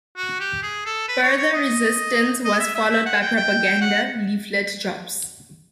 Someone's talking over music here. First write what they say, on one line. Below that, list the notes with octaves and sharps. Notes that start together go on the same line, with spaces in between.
Further resistance was followed by propaganda leaflet drops.
F#4
G4
G#4
A4
B4
C#5
C#5
D#5
D#5
E5
E5
E5
F#5
G5
G5
F#5